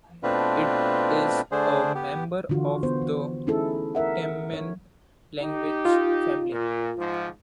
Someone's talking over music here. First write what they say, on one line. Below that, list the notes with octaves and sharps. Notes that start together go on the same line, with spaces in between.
It is a member of the Taman language family.
B2 A3 C4 D4 F4 B4
D3 A3 D4 G#4 C5
B3 G4
D3 E3 F4 F#4
B3 C5
E3
A3 C#4 D#4 E4 G#4 A4
E4 A#4 E5 F#5
D#4 C#5
D#4 G4
F4
A#2
G#2 F3